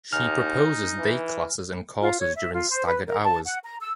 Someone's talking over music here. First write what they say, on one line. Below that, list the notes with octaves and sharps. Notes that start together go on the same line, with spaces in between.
She proposes day classes and courses during staggered hours.
D#2 D#4 G#5 F6
E3
F4
C#5
E5
F4
C5
B4
A#4
A5
F#5
A#5
E6